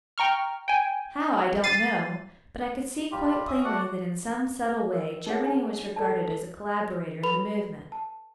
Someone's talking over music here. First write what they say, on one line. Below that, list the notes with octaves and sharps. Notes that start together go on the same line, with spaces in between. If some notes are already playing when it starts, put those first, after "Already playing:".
How, I don't know, but I could see quite plainly that in some subtle way Germany was regarded as a collaborator in the movement.
G5 A#5 C#6 F6
G5 G#5
A6 C7 D#7
G3 F4 G4
C#4 E5 D#6
A3 F#4 D5 F#5
A#4
D#4 G#4 C#5 F#5
D4 G#5
A4 D5 A5
A4 B4 B5 F7
A5